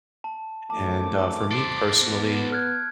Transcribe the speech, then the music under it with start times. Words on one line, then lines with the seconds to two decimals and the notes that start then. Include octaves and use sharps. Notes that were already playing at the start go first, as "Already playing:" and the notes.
and, uh, for me personally,
0.24 A5
0.70 D#3 F3 A3 A5 D6
1.51 A4 C5 D7
2.03 B3
2.52 F6 F#6 G#6